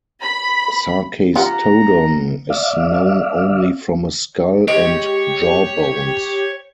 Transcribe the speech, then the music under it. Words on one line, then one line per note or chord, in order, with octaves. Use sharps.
"Sarkastodon" is known only from a skull and jawbones.
B5
F4 G4 F#5 A#5
D5 E5 F5
G#3 G4 C#5 D#5